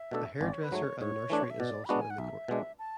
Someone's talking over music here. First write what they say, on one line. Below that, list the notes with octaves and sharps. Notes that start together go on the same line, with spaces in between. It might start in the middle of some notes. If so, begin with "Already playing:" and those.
A hairdresser and nursery is also in the court.
Already playing: E5
B2 A3 D4 A4
G#1 D5
C#5
B4
G#2 F#3 A3 C#5
G#2 C#5
E3 A3 D4
E5
B2 D5
B5
G#3 B3 D4 F#4 A5
G#5
F#5
B1 E5
B2 G#3 D4
A5